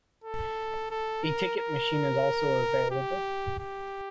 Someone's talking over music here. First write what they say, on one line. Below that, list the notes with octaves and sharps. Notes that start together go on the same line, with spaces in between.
A ticket machine is also available.
A4
A4
A#4
A#4
G4
G4